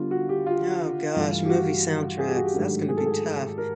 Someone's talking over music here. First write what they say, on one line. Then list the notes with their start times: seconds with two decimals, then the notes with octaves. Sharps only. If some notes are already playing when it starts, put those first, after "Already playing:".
oh gosh, movie soundtracks, that's gonna be tough
Already playing: D3 G3 B3 D4 F4
0.11 F#4
0.29 G4
0.46 F4
1.15 G2 E3 A3
1.45 G4
1.50 F#4
2.19 G#4
2.28 G4
2.36 F#4
2.45 G4
2.54 G#2 D#3 F#3 A3 D4
2.89 G#4
2.97 A4
3.06 G#4
3.58 A#4